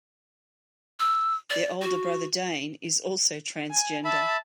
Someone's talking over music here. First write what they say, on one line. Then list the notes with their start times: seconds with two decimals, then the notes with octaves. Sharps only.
Their older brother Dane is also transgender.
1.00 E6
1.50 D5
1.82 F#4
3.70 G#5
4.05 E5 A5 B5